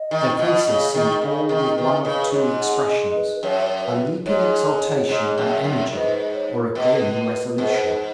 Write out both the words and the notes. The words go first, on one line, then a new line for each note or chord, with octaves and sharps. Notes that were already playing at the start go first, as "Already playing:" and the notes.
Their faces seemed all with one of two expressions--a leaping exultation and energy or a grim resolution.
Already playing: D#5
D#3
B2
C#3
D#3
C#3
D#3
D#3 B4
C#3 B4
B4
G#2 C#5
F#5
D#5
B4
F#2 C#5
B4
G#2 C#5
G#2
F#2
F#2
G#2 B4 C#5
C#5
B2 B4
G#2